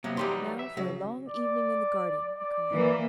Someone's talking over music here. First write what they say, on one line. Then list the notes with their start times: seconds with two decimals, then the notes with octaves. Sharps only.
"Now for a long evening in the garden!" he cried.
0.04 C3 F#3 A#3 B3
0.17 E3 F#3 G3 D#4 G4 C6
0.59 E5
0.77 C#3 F#3
1.28 D5
2.38 D5
2.70 E3 A#3